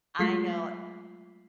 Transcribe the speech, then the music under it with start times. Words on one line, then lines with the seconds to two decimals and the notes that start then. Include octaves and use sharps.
I know.
0.19 F#3 G#3 A3 F4 B6 C7